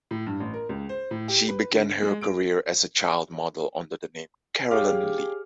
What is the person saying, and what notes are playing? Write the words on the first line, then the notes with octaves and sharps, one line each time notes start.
She began her career as a child model under the name Carolyn Lee.
A2
G2
A1
A#4
C#2
C5
A2
G4
B4
D3
G#3
D7
G4 G#4 C#5 F5 D6 F6